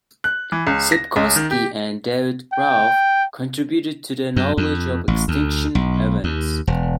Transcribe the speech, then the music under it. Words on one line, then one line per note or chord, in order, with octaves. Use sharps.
Sepkoski and David Raup contributed to the knowledge of extinction events.
F#6
E3
C#2
A#6
C#2
D#3
G4
G5
F#2
F2
A1
D2
B1
D#2
E1